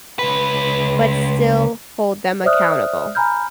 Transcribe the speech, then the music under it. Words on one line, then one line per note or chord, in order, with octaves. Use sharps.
but still hold them accountable.
C#2 B4
C5 D5 E5 D#6 F6 F#6
G#5 A#5 B5 F6 G6